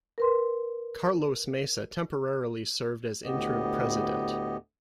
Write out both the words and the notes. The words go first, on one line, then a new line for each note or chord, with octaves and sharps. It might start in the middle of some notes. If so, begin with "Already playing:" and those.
Carlos Mesa temporarily served as interim President.
A#4 B4 C6
D2 A2 B3 G4 D#5